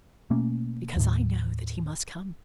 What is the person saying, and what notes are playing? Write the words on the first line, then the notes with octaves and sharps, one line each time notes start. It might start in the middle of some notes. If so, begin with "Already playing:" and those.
"Because I know that he must come."
B2 A3 A#3 C#4
D#2 A2